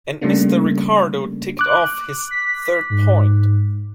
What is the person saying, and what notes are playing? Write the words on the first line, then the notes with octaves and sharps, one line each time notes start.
And Mr. Ricardo ticked off his third point.
C#3 G3 A3 A#3 D4
D6 F#6
B6
G#2